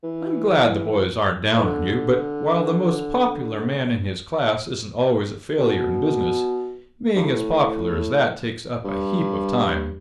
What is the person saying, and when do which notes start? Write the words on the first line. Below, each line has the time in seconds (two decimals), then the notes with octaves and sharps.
I'm glad the boys aren't down on you, but while the most popular man in his class isn't always a failure in business, being as popular as that takes up a heap of time.
0.03 E3
1.58 E3
1.64 D3
5.58 C3
5.64 B2
7.16 G2
7.24 A2
8.84 G2